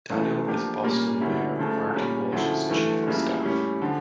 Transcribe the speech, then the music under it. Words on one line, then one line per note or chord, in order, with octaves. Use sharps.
Daniel is Boston Mayor Marty Walsh's chief of staff.
C#2 C#3 E3 A3
F3 A#3 D4 G4
A#2 G3 A#3 C#4
D2 D3 G3 C#4 E4
C#2 C#3 F3 A3
A#2 G3 C#4
D2 C#3 F3 A3 E4
G2 E3 A3
F2 C#3 G3 A#3 E4
A2 G3 C#4
D3 F3